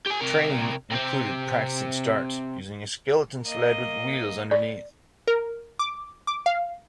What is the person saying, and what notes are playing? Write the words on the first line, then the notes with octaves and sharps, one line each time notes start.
Training included practicing starts using a skeleton sled with wheels underneath.
G4 G#5
C3 A#4
C3 C4
A#3 D#5
D5
A#4
D6
D6
F5